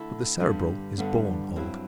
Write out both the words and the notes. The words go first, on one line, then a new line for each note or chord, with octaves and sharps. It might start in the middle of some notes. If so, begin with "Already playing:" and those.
But the Cerebral is born old.
Already playing: D3 A3 E4
G2 D3 G3 B3 D4
G2 D3 G3 B3 D4
G2 F#3 C4 E4